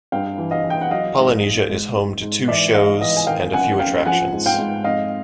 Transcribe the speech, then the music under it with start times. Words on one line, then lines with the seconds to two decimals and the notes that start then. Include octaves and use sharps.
Polynesia is home to two shows and a few attractions.
0.12 G2 F5 G5
0.38 E3
0.51 D#5 F5
0.64 E3
0.70 G5
0.81 F#5
0.91 F#3 D#5 F5
1.18 G#2
1.44 G#2
1.69 G#2
1.96 G#2
2.22 G#2
2.48 E3 D5 E5
2.74 G#2 D#5 F5
3.00 E3 D#5 F5
3.17 G#5
3.27 D#3 F5 G5
3.53 F#2 F#5 G#5
3.79 F#2 F5 G5
4.06 F3 F#5 G#5
4.32 G#2
4.46 F5 G5
4.59 G#2
4.84 F2 D#5 F5